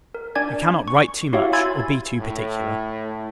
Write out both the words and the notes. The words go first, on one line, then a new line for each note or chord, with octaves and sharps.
You cannot write too much, or be too particular.
A#4
D4 D5 G#5 D6 G#6
C#6
E4 F#4 G4 C#5 E5 F5
G#5 B5 C6 E6 G#6 A6
A2